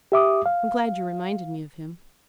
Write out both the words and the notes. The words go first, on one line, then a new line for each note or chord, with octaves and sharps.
I'm glad you reminded me of him.
G4 E5 D6 D#6
F5